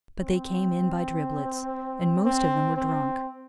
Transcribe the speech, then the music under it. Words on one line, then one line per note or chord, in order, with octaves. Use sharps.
But they came in by driblets, and most of them were drunk.
C4
C4
C4